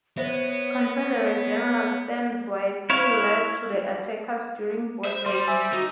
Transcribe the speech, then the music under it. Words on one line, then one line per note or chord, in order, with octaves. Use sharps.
Confederate General Stand Watie led the attackers during both raids.
B3 C5 C#5 E5
E4 C#5 F5
C5 E5
G3 C6
E5 G#5
D#4 F#4